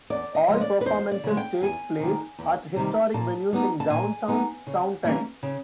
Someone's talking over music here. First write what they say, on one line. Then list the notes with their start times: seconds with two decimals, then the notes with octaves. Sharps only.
All performances take place at historic venues in downtown Staunton.
0.10 E2 D5
0.35 D#5
0.48 C#3 F3 G#3
0.61 D5
0.81 B4
0.86 E2 C5
1.11 D5
1.23 C#3 F3 G#3
1.37 G5
1.62 E2 G#5
2.00 C3 D#3 G3
2.39 E2
2.76 C3 D#3 G3
3.14 A#2 A5
3.53 G3 B3 D#4
3.80 A5
3.90 A#2 G#5
4.28 G3 B3 D#4
4.67 C#3
5.04 E3 G3 A#3 C#4
5.43 C#3